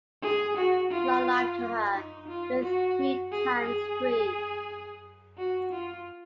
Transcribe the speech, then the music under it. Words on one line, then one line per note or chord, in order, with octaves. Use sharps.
Long life to her, with three times three!
G#4
F#4
F4
D#4
F4
F#4
G#4
G#4
F#4
F4